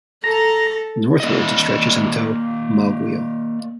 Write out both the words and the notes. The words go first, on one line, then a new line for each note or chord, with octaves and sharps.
Northwards, it stretches until Mauguio.
A4 A#5
A#3 D5 D#5